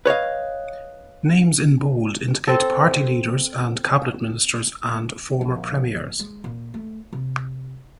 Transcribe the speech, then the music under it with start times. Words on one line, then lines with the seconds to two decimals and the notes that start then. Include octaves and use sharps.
Names in bold indicate party leaders and cabinet ministers and former premiers.
0.06 B4 C#5 D#5 F5
2.47 C4 A4
5.41 A#1
6.19 G#3
6.44 A#2
6.74 A3
7.13 C3